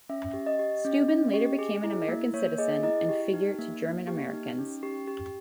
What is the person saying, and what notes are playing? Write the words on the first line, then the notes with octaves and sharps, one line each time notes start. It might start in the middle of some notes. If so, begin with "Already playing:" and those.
Steuben later became an American citizen and figure to German Americans.
C#4 E5
G4
D#5
G4
C#4
C#4
G4
G#4
E4
A#3
A#3 C#5
G#4 D#5
E4 D#5
G4
D#4
A#3
A#3
G4
D#4
C#4
G4
G4